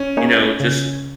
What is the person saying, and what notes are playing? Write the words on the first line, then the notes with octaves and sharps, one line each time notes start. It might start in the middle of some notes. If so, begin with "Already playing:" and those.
you know, just
Already playing: C#4
A#3 D#4 G#4 C#5
C#3